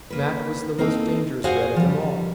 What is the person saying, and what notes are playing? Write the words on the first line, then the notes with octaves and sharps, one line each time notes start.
"Mac" was the most dangerous Red of them all!
A#3 B4
A#3 C4 D#4 G#4 A4
F#4 G#4 C5 F5 F#5 G#5
F3 G3